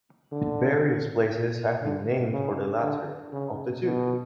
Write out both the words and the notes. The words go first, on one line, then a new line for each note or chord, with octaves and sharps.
Various places have been named for the latter of the two.
D3
D3
C#3
D3
C#3
B2